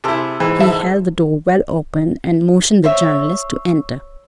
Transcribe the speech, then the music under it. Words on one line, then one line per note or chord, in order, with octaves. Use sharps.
He held the door well open, and motioned the journalist to enter.
C3 E4 G#4 A4 C5
G#2 E3
A4 E5 E6
C5 C#5 E5